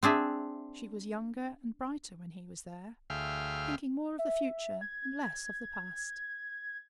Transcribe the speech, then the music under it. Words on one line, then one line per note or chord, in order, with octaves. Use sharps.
She was younger and brighter when he was there, thinking more of the future and less of the past.
C4 D4 G#4 E5
D2 G#4 E5 F5 G5 F6
E5
G#6